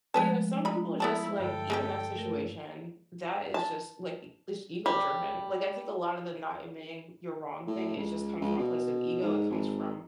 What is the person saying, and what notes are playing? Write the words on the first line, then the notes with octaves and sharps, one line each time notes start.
but yeah, some people are just like even that situation, that is just like, it's ego-driven. Like, I think a lotta the not admitting you're wrong thing, it just comes from a place of ego, it comes from
F3 G#3 A3 B4 C#5 A5
D3 D#4 B5
B3 E4 D5 A5
G2 D3 A4 G5
G#3 C#4 G4
A3 A#4
A5
G3
A2
C#2
C#2
B2
G#2
G#1